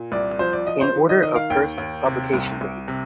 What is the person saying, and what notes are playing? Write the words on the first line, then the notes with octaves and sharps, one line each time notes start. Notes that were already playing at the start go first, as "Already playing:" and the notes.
In order of first publication date.
Already playing: A#2
C2 D5
F3 C5
D5
F3 D#5
C5
D#3
D#5
D#3 D#5
F5
D#2 G5
D#2
C3
C2
C2
C3